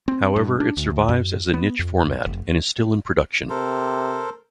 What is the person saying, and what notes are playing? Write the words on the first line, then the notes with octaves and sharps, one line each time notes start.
However, it survives as a niche format and is still in production.
C4
G2
D4
D2
F#2
B3
F2
F1
C3 A4 A#4 C5